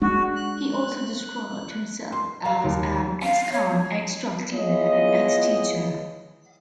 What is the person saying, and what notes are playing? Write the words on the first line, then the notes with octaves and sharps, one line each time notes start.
He also described himself as an "ex-con, ex-drug dealer and ex-teacher".
G#3 D4 F#4
F#6
C6
F5
D#2
F5
C#5
B3 E4 F4 G#4 C#5 D#5